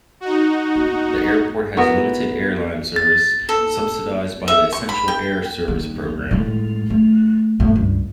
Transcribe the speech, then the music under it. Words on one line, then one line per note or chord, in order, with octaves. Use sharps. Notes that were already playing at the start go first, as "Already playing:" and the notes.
The airport has limited airline service, subsidized by the Essential Air Service program.
D#4 F#4
B3 E4 F#4 A#4
A6
A4
E5
C#6
B5
G5
D#2
A2 G#3
A3
G1 A2
C#2 G2